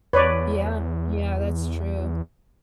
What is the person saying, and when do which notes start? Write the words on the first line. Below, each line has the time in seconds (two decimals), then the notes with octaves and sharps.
Yeah. Yeah, that's true.
0.13 E2 B4 C#5 D5